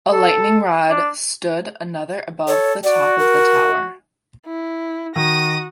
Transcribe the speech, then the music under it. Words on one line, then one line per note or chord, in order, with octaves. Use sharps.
A lightning rod stood another above the top of the tower.
A4
D4
A4 C#5
F#4 D5
A#4
E4
D#3 F#4 D#6 A#6